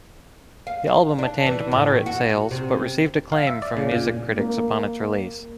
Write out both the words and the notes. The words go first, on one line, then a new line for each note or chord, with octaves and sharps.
The album attained moderate sales, but received acclaim from music critics upon its release.
F5
D4
E3
A2
F#4
C3
F5
E5
D5
C#3
A#2
A#3